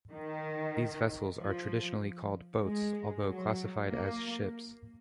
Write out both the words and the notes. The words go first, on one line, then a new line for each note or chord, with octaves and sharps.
These vessels are traditionally called boats, although classified as ships.
D#3
F3
G#3
F#3
A#3